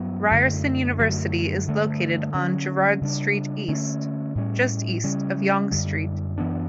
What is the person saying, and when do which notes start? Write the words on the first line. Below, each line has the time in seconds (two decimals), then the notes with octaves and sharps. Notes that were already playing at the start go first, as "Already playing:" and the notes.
Ryerson University is located on Gerrard Street East just east of Yonge Street.
Already playing: G2 F#3 B3
0.31 F#2 D3 A3
0.99 F#2 D3 F#3 A3
1.66 G2 D3 A3
2.34 D3 F#3 C#4
3.01 C#3 G3 D4
3.68 D3 A3 C#4
4.35 A2 G3 C#4
5.03 C#3 G3 C#4
5.71 F#2 D3 G3
6.38 F#2 E3 B3 D4